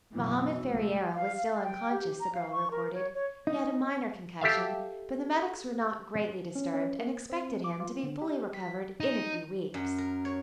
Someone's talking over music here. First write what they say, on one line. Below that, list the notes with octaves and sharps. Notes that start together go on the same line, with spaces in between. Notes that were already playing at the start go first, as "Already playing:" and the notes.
Mohammed Ferriera was still unconscious, the girl reported; he had a minor concussion, but the medics were not greatly disturbed, and expected him to be fully recovered in a few weeks.
F#1 B2 E3 F#3
C#2 A3
F5
F5
G5
G4
A#5
F5
C#6
A#4
C#5
C#5
D#4
G4 A4 E5 F5
C#4
C#4
A#3
C4
D6
F4
D3
G4
B6
D#4
F#2
A#4
C#5